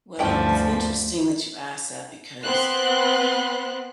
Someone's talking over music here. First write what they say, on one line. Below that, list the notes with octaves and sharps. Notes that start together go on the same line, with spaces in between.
Well, it's interesting that you ask that because,
D2 G2 F3 G3 C#4 E4 G5 A5
B3 C4 C6 F#6